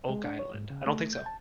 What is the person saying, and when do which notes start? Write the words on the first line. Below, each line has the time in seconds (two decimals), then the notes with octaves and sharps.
Oak Island, I don't think so.
0.09 G#3
0.24 D4
0.39 C#5
0.54 G#2
0.70 C#3
0.86 A3
1.13 G6
1.26 A5